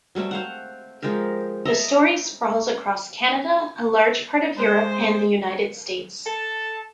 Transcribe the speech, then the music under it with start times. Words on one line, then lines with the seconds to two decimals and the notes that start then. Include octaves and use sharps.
The story sprawls across Canada, a large part of Europe and the United States.
0.15 F#3 G3 A3 C4
0.31 C5 F5 F#5
1.02 F3 G#3 G4 A#4
1.65 A4 D#5 E5 A#5
4.57 G#3 C5
6.26 A4 A5